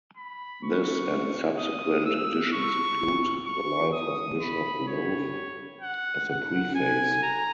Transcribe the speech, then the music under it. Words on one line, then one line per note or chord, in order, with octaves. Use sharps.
This and subsequent editions include the life of Bishop Lowth as a preface.
B5
C#6
D#6
E6
C#6
C#6
D#6
B5
C#5
F#5
F#5
G#5
A#5